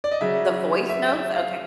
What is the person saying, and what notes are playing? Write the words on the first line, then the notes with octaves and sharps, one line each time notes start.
the voice notes? Okay.
D5
D#5
C#3 F#3 E5
E5
E5
F5